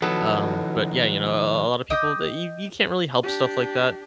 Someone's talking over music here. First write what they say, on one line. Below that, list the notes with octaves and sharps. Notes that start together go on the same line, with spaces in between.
Um, but yeah, you know a a a a lotta people that you you can't really help stuff like that,
D#3 F3 F#3 B3 A4
D#5 G5 D6 D#6
D4 G4